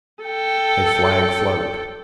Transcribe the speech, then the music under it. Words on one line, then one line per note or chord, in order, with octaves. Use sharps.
A flag fluttered.
A4 G5